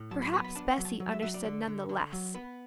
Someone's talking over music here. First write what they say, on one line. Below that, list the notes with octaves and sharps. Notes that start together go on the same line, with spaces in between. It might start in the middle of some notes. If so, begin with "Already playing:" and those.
Perhaps Bessy understood none the less.
Already playing: A2
F#3 A5
B5
B3 B5
B5
D4 A5
F#5
F#3
A5
F#3
E5
F#3 E5
D5
D3
D3
D3
F#3
B3 B4